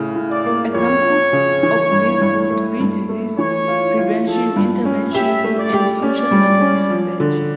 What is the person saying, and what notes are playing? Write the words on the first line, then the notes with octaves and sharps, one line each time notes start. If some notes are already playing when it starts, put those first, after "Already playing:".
Examples of this would be disease prevention interventions and social marketing research.
Already playing: A2 C#3
A2
D5
A#3
F2 C#5
F3
C#3
E3
G2
G2
A3
G2
A3
E3 C#5
F4
F4
F3 A4
G2
C#4
G4 E5
A3
D5
G4
C#4 D5
G3
C#4
F3
D3